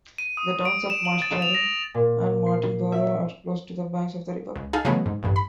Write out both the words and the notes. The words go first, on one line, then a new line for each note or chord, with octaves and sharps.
The towns of Masterton and Martinborough are close to the banks of the river.
D#7
D#6
D7
E7
F#7
A6
F7
A#6
A#2
C7
E5
C#2
D#4 G#4 A4 F5 G#5
C#3 E3 F#3 G#3 A3 B3
G#2
A1 G2
B5